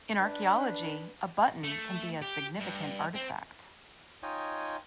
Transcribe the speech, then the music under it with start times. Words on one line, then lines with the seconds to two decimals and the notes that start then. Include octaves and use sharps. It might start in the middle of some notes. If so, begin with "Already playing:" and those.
In archaeology, a button can be a significant artifact.
0.19 D4 B4
1.64 A3
2.22 G4
2.59 G2
3.15 C4
4.23 D#4 F4 C#5 D#5 G5 G#5